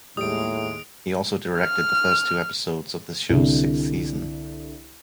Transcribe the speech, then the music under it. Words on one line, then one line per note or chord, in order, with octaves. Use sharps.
He also directed the first two episodes of the show's sixth season.
D#2 A2 G3 G#3 D#6 D7
F6
C2 D3